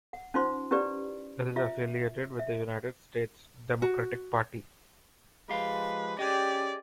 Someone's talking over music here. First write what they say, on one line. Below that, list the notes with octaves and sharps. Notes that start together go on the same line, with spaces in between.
It is affiliated with the United States Democratic Party.
F#5
C#4 D#4 F4 C5 C6
C#4 E4 G4 B4 D5
F4 E5
E5
F#4
F3 G#3 G4 B4 F5
C#4 G4 G#4 D5 D#5